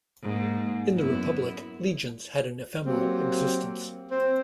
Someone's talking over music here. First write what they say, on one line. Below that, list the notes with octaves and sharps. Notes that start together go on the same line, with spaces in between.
In the Republic, legions had an ephemeral existence.
G#2 A#3
F#2 B3 E4
F#3 A#3 C4 G4
C4